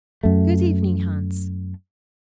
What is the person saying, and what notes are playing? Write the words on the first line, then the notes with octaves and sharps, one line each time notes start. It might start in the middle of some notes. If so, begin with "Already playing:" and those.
'Good evening, Hans.
F#2 A3